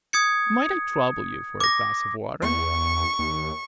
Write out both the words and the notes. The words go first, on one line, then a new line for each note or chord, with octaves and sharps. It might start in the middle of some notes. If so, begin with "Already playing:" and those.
"Might I trouble you for a glass of water?"
D#6 G#6 C#7
D6 A#6
E2 C#6
D#2